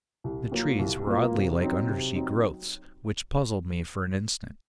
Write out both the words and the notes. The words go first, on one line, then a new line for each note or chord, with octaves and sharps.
The trees were oddly like undersea growths, which puzzled me for an instant.
C2
A#2 F#3 A#3
C2
A#2 F#3 A#3
C3
F#3 C4 D#4
C3
F#3 C4 D#4